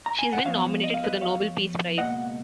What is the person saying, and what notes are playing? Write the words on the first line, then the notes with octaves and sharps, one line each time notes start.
She has been nominated for the Nobel Peace Prize.
A#5
G#5
F#5
F2 F3 B3 C#5 F5
D#5
F5
B4 D#5
C#5 F5
C#2 B2 A#3 D#5 F#5